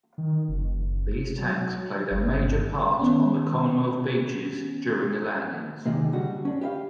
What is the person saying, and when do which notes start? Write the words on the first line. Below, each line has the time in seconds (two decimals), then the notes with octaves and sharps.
These tanks played a major part on the Commonwealth beaches during the landings.
0.18 D#3
0.49 F#1
1.38 F#3
2.11 G1
2.99 D#3 B3 C#4
5.86 C3 D#3 G#3 A#3
6.12 D3 G3 F#4
6.45 C#4 D4
6.61 G4 B4 E5 F5